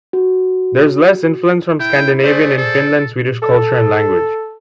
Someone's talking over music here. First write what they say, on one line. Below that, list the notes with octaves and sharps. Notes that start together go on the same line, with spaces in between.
There is less influence from Scandinavian and Finland-Swedish culture and language.
F#4
E4 G5
A3 G#4 C5 D5
A4
A4